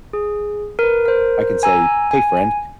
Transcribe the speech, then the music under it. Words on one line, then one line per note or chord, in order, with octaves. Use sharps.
I can say, "Hey friend,
G#4
A#4 B4
A#4 C5
G#5 A#5 E6
G#5